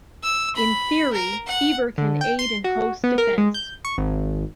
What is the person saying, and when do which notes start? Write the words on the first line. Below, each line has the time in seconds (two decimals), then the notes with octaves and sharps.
In theory, fever can aid in host defense.
0.23 E6
0.55 B5
1.13 A#4
1.47 F#5
1.98 D3
2.21 G5
2.39 C6
2.64 F#4
3.04 B3
3.18 A#4
3.38 G#3
3.54 G6
3.85 C#6
3.98 G#1